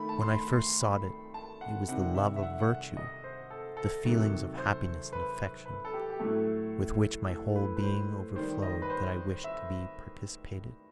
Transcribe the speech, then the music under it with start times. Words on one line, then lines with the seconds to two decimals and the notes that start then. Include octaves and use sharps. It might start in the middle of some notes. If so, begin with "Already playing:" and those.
When I first sought it, it was the love of virtue, the feelings of happiness and affection with which my whole being overflowed, that I wished to be participated.
Already playing: D#3 A3 B5
0.09 A5
0.20 C6
0.27 B5
0.53 C6
0.80 B5
1.34 A5
1.61 F#5
1.88 C3 D#3 G3 F#5
2.15 E5
2.36 E5
2.42 F#5
2.60 F#5
2.97 D#5
3.24 C5
3.50 A4
3.77 A4
4.04 C3 D#3 F#3
4.58 C5
5.13 B4
5.66 B4
5.85 A4
5.94 G4
6.10 G4
6.19 A2 F#3 A3 A4
7.28 A4
7.56 B4
7.77 B4
7.82 C5
8.36 D#3 G3 C5
8.62 D#5
8.82 B4
8.90 C5
9.44 E5